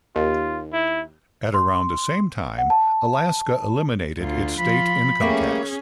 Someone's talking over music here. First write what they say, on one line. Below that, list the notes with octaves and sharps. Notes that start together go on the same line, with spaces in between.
At around the same time, Alaska eliminated its state income tax.
D#2 F4
E4
C6
F#5
A5
D2 F4
F3 F4 B5
G3 A3 A#3 C#4 G#4